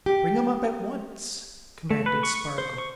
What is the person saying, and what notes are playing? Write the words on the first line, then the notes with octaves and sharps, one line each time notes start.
"Bring him up at once!" commanded Spargo.
G4
A3
B4
C#6
C5
C#6